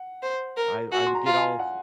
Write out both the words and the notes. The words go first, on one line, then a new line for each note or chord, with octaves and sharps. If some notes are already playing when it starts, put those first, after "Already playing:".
I I would get all
Already playing: F#5
C5
A#4
F#4 G#5
C6
A#5
F4
G#5
F#5